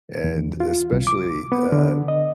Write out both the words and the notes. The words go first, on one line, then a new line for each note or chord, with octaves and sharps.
and especially, uh
E2
F4
C2
D6
B3
D3
D#5